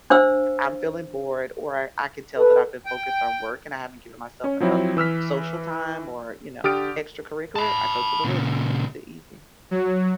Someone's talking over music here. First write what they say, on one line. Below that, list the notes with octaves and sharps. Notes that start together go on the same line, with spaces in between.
I'm feeling bored, or I could tell that I've been focused on work and I haven't given myself enough social time or, you know, extracurricular, I go to the list. It makes it easy.
D4 C5 F5 E6
A4 B4
G5
C#4
F3 F#3 C4 E4
E3 E6 F6 B6
D3 G4 D#6 F6 A6 D7
A5 B5
A#2 C#3
F#3